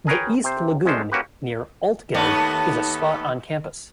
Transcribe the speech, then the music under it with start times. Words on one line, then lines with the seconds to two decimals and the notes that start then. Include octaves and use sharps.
The East Lagoon near Altgeld is a spot on campus.
0.07 G#4 A#4 B4 C#5 G5
0.44 C3 C5
0.86 C2 G#3 C#4 D4 C5
1.12 A#3 C#4 F#4 G4 B4
2.14 D#2 A3 B3